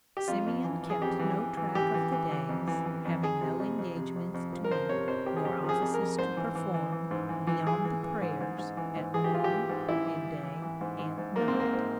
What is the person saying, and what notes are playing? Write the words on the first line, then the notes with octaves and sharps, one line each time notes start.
Simeon kept no track of the days, having no engagements to meet, nor offices to perform, beyond the prayers at morn, midday and night.
G4
F2 F4
F2
E3
E3
G#4
F2 G4
E3
E3
E3
E3 G4
E3
E3
E3
F2
E3
E3
F2
F2 G#4
C3
F2
F2
C3
F2
F2
F3
A#4
F3 C5
C3 C#5
F2 C5
C3 G4
G#4
F2 G4
F3
G#4
F2
A#4
F2
G#2 C5
E3
E3
E3
E3
G#2
E3
E3
E3 G#4
E3
E3
G#2
G#2
G#2
E3
G#2
E3 G#4
G4
E3 F4
G4
E3
G#2
E3 E4
E3
E3
E3
E3
G#2
G#2
G#2
G#2 A#3
C4
G#2
A#3
G#2